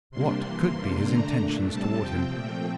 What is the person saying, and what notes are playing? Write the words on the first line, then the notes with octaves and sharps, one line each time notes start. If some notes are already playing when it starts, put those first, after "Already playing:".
What could be his intentions towards him?
C3 G3 A#3 D4 C6
C3 E3 A#3 C6
C3 G3 A#3 D4
D3 A3 D4 A#5
A#2 A3 D4
C3 G3 C4 A5
C3 F3 C4 G5
A#2 F3 A3 C4